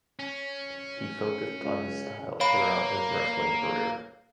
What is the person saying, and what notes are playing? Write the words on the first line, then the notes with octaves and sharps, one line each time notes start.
He focused on this style throughout his wrestling career.
C#4
C#2
A#3 C#5 F5 B5